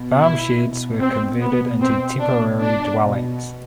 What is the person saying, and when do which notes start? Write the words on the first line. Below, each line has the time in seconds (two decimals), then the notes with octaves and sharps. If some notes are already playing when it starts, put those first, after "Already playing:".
Farm sheds were converted into temporary dwellings.
Already playing: B2
0.20 E4
0.61 B2
1.01 C4
1.41 B2 B3
1.80 C4
2.20 B2 D4
2.61 D4
3.01 B2